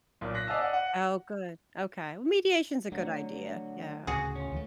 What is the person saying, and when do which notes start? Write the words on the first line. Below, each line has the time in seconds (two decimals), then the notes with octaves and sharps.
Oh, good, okay mediation's a good idea, yeah.
0.21 B1 A#2
0.34 F#6 A#6 B6
0.47 D5 D#5 F5 G#5 A5 E6
0.59 D5 D#5 F#5
0.73 F#5
2.92 D3 F#3 A3
4.07 D2 A2 C#3 F#4 G#4
4.36 C#4 F4
4.52 D2 E3 A3